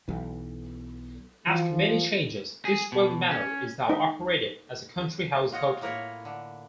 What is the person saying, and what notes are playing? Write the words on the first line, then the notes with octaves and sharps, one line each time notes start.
After many changes, Eastwell Manor is now operated as a country house hotel.
B1 E3
E3 F3 F4 F#4
G#4
B2
C#4
D#4
F4 F#4 C#5 D#5
A2 A#3 A#4 B4 C#5
D3